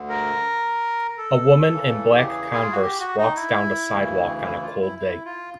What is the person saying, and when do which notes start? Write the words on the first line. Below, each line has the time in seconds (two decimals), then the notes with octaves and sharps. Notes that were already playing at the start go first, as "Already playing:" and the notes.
A woman in black converse walks down the sidewalk on a cold day.
Already playing: D2 D3
0.09 A#4
1.18 A4
1.73 E2 C#3 E3
2.16 G4
2.27 G#4
2.53 E4
2.63 F4
2.72 F#4
2.82 G4
3.00 F#4
3.17 D#4
3.36 E4
3.91 D2 C#3 E3
4.45 E4
4.63 F4
4.81 E4
4.99 E4
5.25 F4